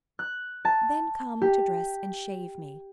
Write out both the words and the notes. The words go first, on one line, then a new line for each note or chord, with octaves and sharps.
"Then come to dress and shave me."
F#6
A5
G4